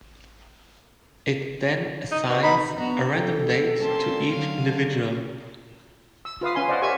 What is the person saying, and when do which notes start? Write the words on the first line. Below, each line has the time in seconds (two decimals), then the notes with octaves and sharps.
It then assigns a random date to each individual.
2.12 D#4
2.29 B2 F#4
2.43 D#4 B5
2.78 B3 D4 F#4 A#5
3.11 A4 G5
3.80 G3 A#3 C4 C#4 A5 C6
4.31 D3 F#3 F5
6.25 E6
6.41 F4 B4 F5 D#6
6.55 C#4 F5 G#5 C6
6.68 C5 D5 D#5 F5 F#5
6.82 G4 A#4 C#5 E5 G#5 C#6